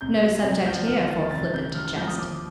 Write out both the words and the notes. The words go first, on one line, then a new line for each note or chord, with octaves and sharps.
No subject here for flippant jest.
C2 G6
G3
C2
F3 G6
D2 F6
D#3 A6
F1 A6
C3 G6
A1 F6
F6
F3 G6
D#6
D#2 D6